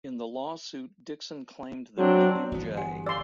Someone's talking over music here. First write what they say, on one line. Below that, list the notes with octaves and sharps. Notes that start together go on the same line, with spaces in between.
In the lawsuit, Dickson claimed that William J.
F#3 C4 D4
G1 E3 B3
G4 F#5 G#5
D5 C6 E6